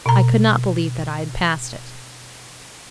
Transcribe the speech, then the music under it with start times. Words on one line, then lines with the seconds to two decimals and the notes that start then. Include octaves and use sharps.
I could not believe that I had passed it.
0.06 B2 A#5